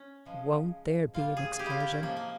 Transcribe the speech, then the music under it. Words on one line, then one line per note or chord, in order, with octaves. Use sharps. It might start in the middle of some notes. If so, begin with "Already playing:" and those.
Won't there be an explosion!
Already playing: C#4
C#3 F3 G#3
A#2 G3 F4
G#4
G#4
G4
E4 F4
E4
C#4
C3 F3 G#3 A#3
A#3